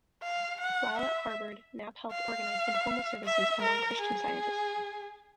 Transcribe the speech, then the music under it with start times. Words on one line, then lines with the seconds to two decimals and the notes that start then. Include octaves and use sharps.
While at Harvard, Knapp helped organize informal services among Christian Scientists.
0.23 F5
0.60 F#5
0.98 E5
2.12 F5
3.25 E5
3.62 A#4
4.01 G#4